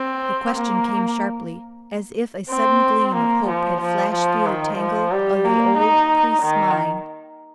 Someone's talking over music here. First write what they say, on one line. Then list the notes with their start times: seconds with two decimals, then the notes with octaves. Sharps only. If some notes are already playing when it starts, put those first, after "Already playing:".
The question came sharply, as if a sudden gleam of hope had flashed through the tangle of the old priest's mind.
Already playing: C4
0.54 A#3
2.51 C4
3.15 A#3
3.49 F3
3.81 F3
4.14 F3
4.46 D#3
4.79 F3
5.12 G3
5.45 A#3
5.78 D#4
6.43 D#3